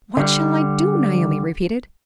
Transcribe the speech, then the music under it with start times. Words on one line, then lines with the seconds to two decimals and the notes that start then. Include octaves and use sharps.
"What shall I do?" Naomi repeated.
0.17 D3 G3